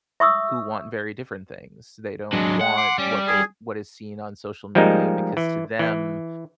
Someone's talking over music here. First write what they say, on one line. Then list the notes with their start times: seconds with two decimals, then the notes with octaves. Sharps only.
who want very different things. They don't want what they what is seen on social media because to them,
0.20 E5 C#6 D#6 E6
2.33 F#3 G#3 D4
2.61 F#5
2.77 C6 D6
2.98 G3 C#4 D6
3.27 G#4 G#5
4.75 F3 G3 G#3 A#3 D#4
5.37 E3
5.79 E3